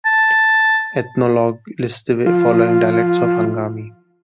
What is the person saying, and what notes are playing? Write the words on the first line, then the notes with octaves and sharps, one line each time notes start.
"Ethnologue" lists the following dialects of Angami.
A5
F3 F4